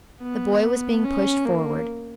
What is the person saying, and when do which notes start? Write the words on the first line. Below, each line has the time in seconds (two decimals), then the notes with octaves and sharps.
The boy was being pushed forward.
0.22 B3
1.04 C#4
1.45 A#3